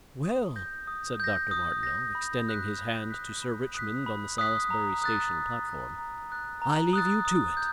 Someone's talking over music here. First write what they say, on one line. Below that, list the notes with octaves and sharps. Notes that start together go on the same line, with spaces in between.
"Well," said Dr. Martineau, extending his hand to Sir Richmond on the Salisbury station platform, "I leave you to it."
D#6
G6 A#6
D#6
G6 A#6
D#6
G6 A#6
B5
D#6 F#6 B6
B5
D#6 F#6 B6
B5
D#6 F#6 B6
B5
D#6 F#6 B6
A#5
D#6 F#6 A6
A#5
D#6 F#6 A6
A#5
D#6 F#6 A6
A#5
D#6 F#6 A6
D#6
G6